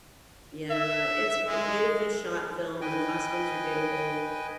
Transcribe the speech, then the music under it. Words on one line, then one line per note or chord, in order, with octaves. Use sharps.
yeah, it's a b beautifully shot film, the costumes are beautiful,
E5
G#3
B4 D#5 G5 G#5